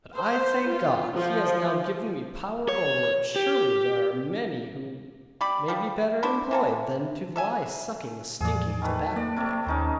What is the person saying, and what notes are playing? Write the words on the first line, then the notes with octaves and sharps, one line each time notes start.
But I thank God, He has now given me power over it; surely there are many who may be better employed than to lie sucking a stinking tobacco-pipe.
C5
F4
F3
C#5
G4
G3 D5 B5
F3 G3
D4 E4 F#4 C5
E3 A#3 A4
A4 E5 G#5
E2 A2 F3 G#4 D5
D#3 A3 B4
A#3 D5
C3 A3
D#2 C#4 D#4 C5